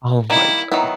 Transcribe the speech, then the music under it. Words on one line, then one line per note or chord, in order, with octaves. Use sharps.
Oh my god.
D#3 G3 A#3 E4
D#3 F#3 B3 E4